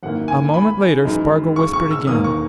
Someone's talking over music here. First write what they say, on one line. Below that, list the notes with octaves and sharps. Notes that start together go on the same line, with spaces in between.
A moment later Spargo whispered again.
G#1 F#2 D#3 A#3 E4 F#5
G#5
B5
F#2 E3 G#3 D#4
C#6
C#6
E6
E1 D#2 D#3 A#3 D#6
C#6